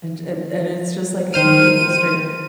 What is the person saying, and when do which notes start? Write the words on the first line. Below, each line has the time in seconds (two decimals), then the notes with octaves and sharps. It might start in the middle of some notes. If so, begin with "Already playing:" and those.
and and and it's just, like, a complete mystery,
1.34 D#3 C5 F6 D#7